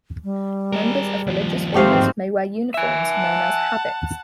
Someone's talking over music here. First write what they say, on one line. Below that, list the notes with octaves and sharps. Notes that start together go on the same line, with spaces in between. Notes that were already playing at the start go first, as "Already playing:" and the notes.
Members of religious orders may wear uniforms known as habits.
G3
G#4 A#4
D#2 F3
G#2 A3 C4 G4 F5
E5 G#5
F#5 A5